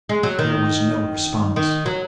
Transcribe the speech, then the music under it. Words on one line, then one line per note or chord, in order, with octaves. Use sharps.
There was no response.
G#3
F#3
D#3
D#3
F#3